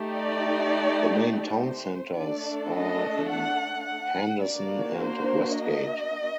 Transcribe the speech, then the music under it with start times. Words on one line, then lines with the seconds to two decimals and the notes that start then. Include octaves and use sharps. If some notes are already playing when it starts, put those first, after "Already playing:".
The main town centres are in Henderson and Westgate.
Already playing: A3 D#4 G4
0.16 D5
1.59 C5
2.16 A3 D4 A4 D5
2.73 D#5
3.30 F#5
3.86 F#5
4.43 A#3 D4 F#4 D5
5.00 C5
5.57 D#5